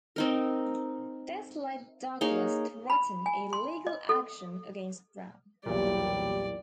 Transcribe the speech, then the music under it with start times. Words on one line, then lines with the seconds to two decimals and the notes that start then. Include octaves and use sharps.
This led Douglas threaten a legal action against Brown.
0.16 C4 D#4 A#4
2.21 A#3 D#4 G#4 C#5
2.90 B5
3.26 G#5
3.53 C6
3.87 D#5
4.09 A4
5.66 B1 E2 A#2 F#3 G3 G4 D5